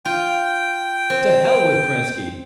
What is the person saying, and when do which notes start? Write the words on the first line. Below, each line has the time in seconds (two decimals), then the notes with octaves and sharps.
To hell with Kerensky!
0.05 F4 G5
1.10 C4